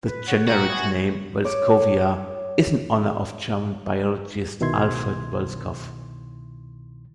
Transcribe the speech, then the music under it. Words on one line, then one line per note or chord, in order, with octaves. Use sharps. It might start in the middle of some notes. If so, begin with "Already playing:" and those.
The generic name, "Voeltzkowia", is in honor of German biologist Alfred Voeltzkow.
B4
C#5 F#5
F#4 G5 A#5
A3 B3 G#5
C#5 D6
C2 B2 D#3 E4 C6 G#6